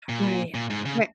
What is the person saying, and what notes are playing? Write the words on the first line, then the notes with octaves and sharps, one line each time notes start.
Right. Ri
A#2
A#2
G#2
C#3